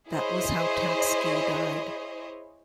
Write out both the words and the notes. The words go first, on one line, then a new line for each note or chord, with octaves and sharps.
That was how Tempsky died.
E4 G#4 C5 C#5 D#5